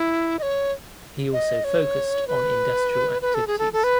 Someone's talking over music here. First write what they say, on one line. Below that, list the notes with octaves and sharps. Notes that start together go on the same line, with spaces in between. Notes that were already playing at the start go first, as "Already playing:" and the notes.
He also focused on industrial activities.
Already playing: E4
D#5
C#5
D#5
C#5
B4
B4
A4
G#4
A4
A4
B4